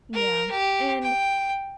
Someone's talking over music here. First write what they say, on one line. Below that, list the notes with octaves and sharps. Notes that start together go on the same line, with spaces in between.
Yeah, and
A#4
G4
G5